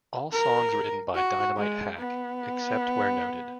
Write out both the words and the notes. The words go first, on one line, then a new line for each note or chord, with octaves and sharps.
All songs written by Dynamite Hack, except where noted.
A#4
F#4
G#3
B3